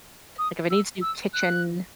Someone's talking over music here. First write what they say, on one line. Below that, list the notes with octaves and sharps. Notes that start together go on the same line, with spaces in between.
Like, if it needs new kitchen
D#6
E6
E6
F#6